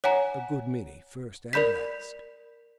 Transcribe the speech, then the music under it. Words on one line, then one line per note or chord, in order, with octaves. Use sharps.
"A good many, first and last."
C#5 F#5 G#5 A#5
A#4 D5 B5 G6 B6